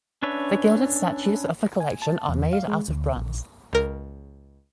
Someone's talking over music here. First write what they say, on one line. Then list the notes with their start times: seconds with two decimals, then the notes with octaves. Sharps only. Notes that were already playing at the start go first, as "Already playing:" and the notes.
The gilded statues of the collection are made out of bronze.
0.23 C#4 D4 B4 C#5 E5
1.80 G#5
2.02 A5
2.29 E2
2.53 F5
2.68 G#3
2.88 D2
3.17 A#1
3.73 C#2 A#4